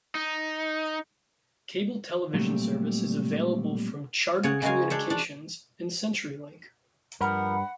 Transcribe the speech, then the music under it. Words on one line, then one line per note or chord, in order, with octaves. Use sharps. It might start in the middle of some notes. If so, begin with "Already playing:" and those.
Cable television service is available from Charter Communications and CenturyLink.
D#4
A#2 F#3 G3 A3 C4
C#3 C#5 F#5
C#3 G#3 F#4 A#4 F5 G#5
D4 C5 C#5 E5
D4
G2 F3 A#4 F#5 B5